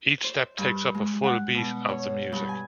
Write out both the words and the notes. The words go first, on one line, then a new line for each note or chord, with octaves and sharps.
Each step takes up a full beat of the music.
C5
G2
G#3
F#5
B2
C#5
G2
G#5